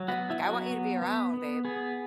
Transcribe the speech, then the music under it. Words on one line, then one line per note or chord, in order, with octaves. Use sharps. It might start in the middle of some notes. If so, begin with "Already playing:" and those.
Uh like, "I want you to be around, babe."
Already playing: F#3
B3 F#4
E4
F#3 F#4
B3
B3
B3
B3 G#4